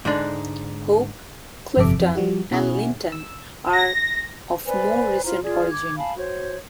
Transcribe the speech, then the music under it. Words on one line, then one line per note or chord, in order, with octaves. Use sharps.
Hope, Clifton, and Linton are of more recent origin.
G#2 D3 G#3 D4 D#4
G1 F2 C3 A4 E5 D6
F2
F3 G3 F#4 G4
B2 C#4 E4 F#4 G#4
E6
A#6
B4 C5 D5 G#5
E4 F4 C5 A#5
F4 G#4 D5
D6 G#6
F5 G#5 A5 B5
F#4 C5 C#5